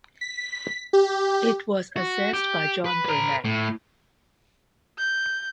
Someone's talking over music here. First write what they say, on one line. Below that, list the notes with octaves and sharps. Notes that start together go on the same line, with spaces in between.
It was assessed by John Burnet.
B6
G4
F#4
G4
B4
B4 A#5
A2
G6